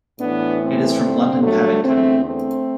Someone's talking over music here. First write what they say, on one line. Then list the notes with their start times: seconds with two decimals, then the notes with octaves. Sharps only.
It is from London Paddington.
0.20 A2 E3 B3 D4
0.61 A3 C4
1.02 G2 D3
1.42 F#3 A3
1.83 E2 D3 A3 C4
2.24 A3 C4